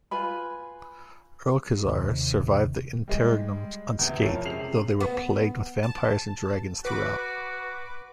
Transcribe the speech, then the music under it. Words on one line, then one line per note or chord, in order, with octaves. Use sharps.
Erlkazar survived the Interregnum unscathed, though they were plagued with vampires and dragons throughout.
F4 B4 G#5 B5
D#2 C3
G3 G#3 G#4
E2 A2 C3
F3 E4 A#4 C#5
C#2 C3 G#4 C7 F7 F#7
B3
A5
F#4 B4 D6